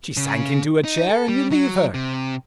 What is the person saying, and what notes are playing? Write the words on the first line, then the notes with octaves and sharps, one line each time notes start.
She sank into a chair and you leave her.
C#3
D#4
A4
G3
F#3
C3